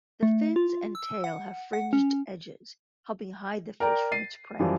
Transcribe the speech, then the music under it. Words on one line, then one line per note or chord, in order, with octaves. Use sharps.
The fins and tail have fringed edges helping hide the fish from its prey.
A3
F4
E6
F#5
F#5
C#4
A#4 D5 G5 A#5
A6 C7 D#7
F#2 E3 F3 G3